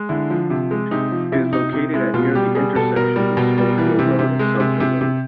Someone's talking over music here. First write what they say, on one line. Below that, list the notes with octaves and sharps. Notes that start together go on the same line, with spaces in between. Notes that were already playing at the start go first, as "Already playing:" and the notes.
It is located at near the intersections of Scofield Road and Sumpter Road.
Already playing: G#3
D3 E4
F3
C3
G#3
C3 D#4
F3
C3 E4
C3 D#4
C3 D#4
G#3 E4
B2 F4
G3 G4
G3 G#4
B2 A4
B2 A#4
G3
B2
G3
E3
C3
C3
G#3
C3
C3
C3